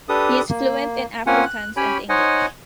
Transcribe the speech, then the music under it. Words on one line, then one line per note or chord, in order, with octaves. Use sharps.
He is fluent in Afrikaans and English.
D4 G4 A4 B4 D#6
A#3
A#3 C4 C#4 F4 F#5 G#5
F#6
C#4 G4 C#5 G5 G#5 B5
D#4 C5 C#5 D#5 F#5 G#5